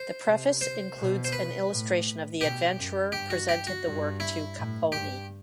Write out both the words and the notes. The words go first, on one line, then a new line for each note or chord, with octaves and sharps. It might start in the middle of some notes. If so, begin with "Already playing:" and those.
The preface includes an illustration of the adventurer presented the work to Capponi.
Already playing: C5
C3
C5
B2
C5
B4
A2
B2 G4
F#2
G2 G4
F#4
G4
F#4
G2
E4
A2
G2 G4